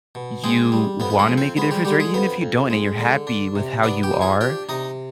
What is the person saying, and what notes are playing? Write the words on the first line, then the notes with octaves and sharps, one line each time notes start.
you wanna make a difference, or e even if you don't and you're happy with how you are,
B2
G#3 C4 G#4
G3
F2 B3 B4
B4
G#3 G#4
F2
C4 C5
G#3 B3 B4
G3 G4
D3 G3 G4
G#3 G#4
F2 B3 B4
F2
G#3
D3
D4
C3
B3 D4 D5
G4 G5
F3
G#4 G#5
D4 G4 G5
C3 D#4 D#5